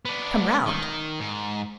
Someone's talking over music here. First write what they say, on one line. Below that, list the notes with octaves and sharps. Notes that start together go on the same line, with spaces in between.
"Come round?"
B3 D4
D#3
G#2